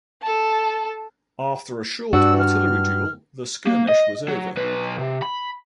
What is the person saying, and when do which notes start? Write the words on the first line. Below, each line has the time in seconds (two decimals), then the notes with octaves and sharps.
After a short artillery duel the skirmish was over.
0.23 A4 A5
2.13 G2 D4 F#4 E6
2.39 F6
3.67 A#3
3.88 D#5
4.28 F#3
4.57 B1 B4
4.99 C3
5.22 B5